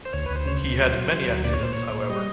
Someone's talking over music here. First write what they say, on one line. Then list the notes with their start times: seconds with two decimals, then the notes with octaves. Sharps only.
He had many accidents, however.
0.05 C5
0.13 D2 C#5
0.26 B4
0.30 D2
0.36 C5
0.46 C#3 C#5
0.57 C5
0.63 D2
0.79 F#3
0.95 F#3
1.12 F#3
1.28 D2
1.44 A#2 D5
1.53 C#5
1.61 A#2 C5
1.73 A#2 C#5
1.94 A#2
2.09 G3 D#5